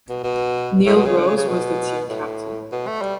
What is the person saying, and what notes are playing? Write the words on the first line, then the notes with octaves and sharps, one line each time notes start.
Neil Rose was the team captain.
B2
B2
A2
B2
C#3
D3
C#3
C#3
B2
A2
B2
A3
G3